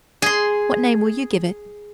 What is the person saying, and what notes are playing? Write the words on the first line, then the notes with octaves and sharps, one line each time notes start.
What name will you give it?'
G#4 C6